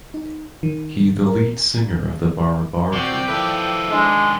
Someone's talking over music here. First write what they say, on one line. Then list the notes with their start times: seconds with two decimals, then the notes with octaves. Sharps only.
He the lead singer of the barabar group.
0.14 D#4
0.63 D#3
1.26 A#4
2.93 C3 F#4 D5 G5
3.28 D#3 F3 E4 A4 B4
3.90 G#3 D4